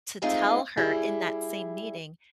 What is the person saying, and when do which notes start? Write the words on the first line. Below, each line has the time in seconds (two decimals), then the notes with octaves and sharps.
to tell her in that same meeting,
0.22 G#3 A3 C4 D#4 F4 G#4
0.77 G3 E4 G#4